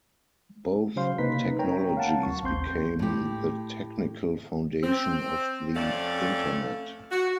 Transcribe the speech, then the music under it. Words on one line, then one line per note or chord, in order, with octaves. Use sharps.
Both technologies became the technical foundation of the Internet.
C#3 F#3 C#4 C5 F5 C6
C3 A#3 D#4 B4 B6
A#4 C#5 G5 A#5
F5 F#5 A5
D2 F#3 C#6
A1 D#2 C4 C6 G6
A2 G4
C4
F2 A3 C#4 D5 F5
F#4